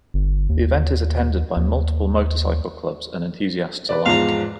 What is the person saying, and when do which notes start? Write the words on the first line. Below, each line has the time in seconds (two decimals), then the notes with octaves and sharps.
The event is attended by multiple motorcycle clubs and enthusiasts alike.
0.14 G1
0.49 D#2
1.57 D#2
3.89 B4 D5
4.06 E2 G#2 F3 F5 A#5